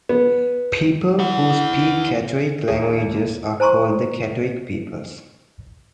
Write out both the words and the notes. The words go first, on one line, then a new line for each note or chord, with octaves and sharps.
People who speak Katuic languages are called the Katuic peoples.
B3
E4 F#5
D#2 A#3 G#4
C5 G#5 A#5 C6 C#6